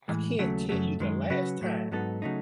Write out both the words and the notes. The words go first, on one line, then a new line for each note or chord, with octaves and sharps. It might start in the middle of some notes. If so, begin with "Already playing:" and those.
I can't tell you the last time
A2 E3 G#3
D#2 C#3 F#3 A3
F#2 C#3 F#3 A3
F#2 D#3 G#3
C#3 F#3 C#4 F#4 B4
A2 F#3 A3
G#2 F#3 B3 D#4 A4
C#3 F#3 A3 D#4